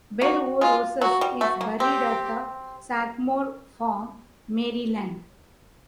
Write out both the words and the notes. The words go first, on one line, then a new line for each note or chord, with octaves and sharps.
Bed o' Roses is buried at Sagamore Farm, Maryland.
A#3 F#4
G#3 F4
F#3 F#4
G3
A3 F#4
A#3
C4 G4